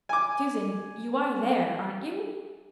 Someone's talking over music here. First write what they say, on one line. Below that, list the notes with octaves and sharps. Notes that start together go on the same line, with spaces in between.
"Susan, you are there, aren't you?"
G#5 D6